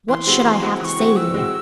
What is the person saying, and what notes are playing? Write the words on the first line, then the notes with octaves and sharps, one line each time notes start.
"What should I have to say to you?"
E3 C6
G#3 C4 F#4
E3
G#3 C4 F#4
E3 C#6 E6
G#3 C4 F#4
E3 E6
G#3 C4 F#4